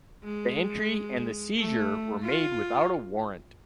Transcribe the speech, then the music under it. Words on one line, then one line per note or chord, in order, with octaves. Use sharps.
The entry and the seizure were made without a warrant.
G#3
A3
F4